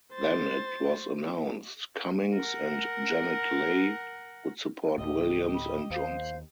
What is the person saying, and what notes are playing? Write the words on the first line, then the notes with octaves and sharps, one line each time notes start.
Then it was announced Cummings and Janet Leigh would support Williams and Johnson.
C5 A6
A#4 F#5
D2 A2 G4 D#5
B5
D#2 C5 F5